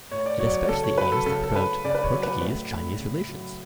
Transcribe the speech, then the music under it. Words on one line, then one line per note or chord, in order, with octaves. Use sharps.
It especially aims to promote Portuguese-Chinese relations.
A2 C#5
D5
F#3 C#5
D5
C#5
C#3 A4
C#5
F#3 B4
A4
C#3 A4
A4
C#3 B4
C#3 D5
B4
C#5
F#3
B4
A2 B4
A2
C#3
F#3